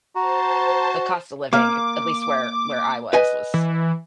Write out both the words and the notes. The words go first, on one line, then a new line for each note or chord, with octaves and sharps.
the cost of living, at least where where I was was
F#4 C5 A5 A#5
A#3 F5 D6
B4 D#5 G#5
E3